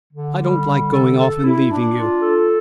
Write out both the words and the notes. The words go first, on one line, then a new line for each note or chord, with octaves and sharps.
"I don't like going off and leaving you."
D3
G3
D3
A4
A4
E4
D4
F4
A4